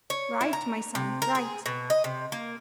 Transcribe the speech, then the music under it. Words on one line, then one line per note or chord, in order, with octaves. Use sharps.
'Right, my son, right.
C#5
E4
A#5
C3
A#4
G#4
B2
D#5
C3
A#3